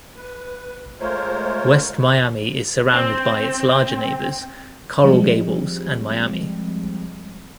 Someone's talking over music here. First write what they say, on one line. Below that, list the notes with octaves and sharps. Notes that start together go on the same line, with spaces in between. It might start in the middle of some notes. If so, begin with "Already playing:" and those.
West Miami is surrounded by its larger neighbors, Coral Gables and Miami.
B4
G#3 A3 F4 A#4 C5 C#5
C4
F3 G3 G#3 C4